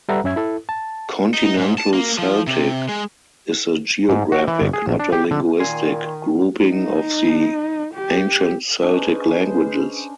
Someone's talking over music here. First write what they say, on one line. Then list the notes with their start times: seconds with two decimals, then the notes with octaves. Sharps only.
"Continental Celtic" is a geographic, not a linguistic, grouping of the ancient Celtic languages.
0.09 G3 A4 B4 E5 F#5 A#5
0.24 F#2 C#4 E5 G#6
0.36 E4 A4
0.69 A5
1.34 D#4
1.57 G#2
1.78 A5
1.94 A#3
2.18 F3
2.47 C3
2.89 G#3
4.09 G#2
4.32 F#4
4.48 E3
4.61 G1
4.73 G#4
4.87 A#1
5.00 D4
5.12 G4
5.31 D3
5.60 A#2 D#3 G#5 C6
6.69 D#4
7.95 G4
8.82 C#4 D4 G#4 B4 C5 D#5